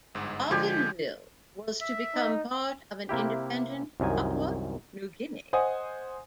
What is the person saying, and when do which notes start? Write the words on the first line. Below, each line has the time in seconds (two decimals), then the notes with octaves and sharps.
Bougainville was to become part of an independent Papua New Guinea.
0.15 G1 G#2
0.51 D3 F3 G#3 G4 G#5
1.81 E5
2.14 D#4
3.09 C3 A#3 E4 G4
4.00 C2 F#2 D#3 G#5
5.53 C5 D#5 F#5 G#5 D#6